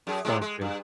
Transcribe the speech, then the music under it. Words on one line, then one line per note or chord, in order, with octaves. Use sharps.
Sounds good.
F#2 G#4
A2 C3 G#3
G#3
G2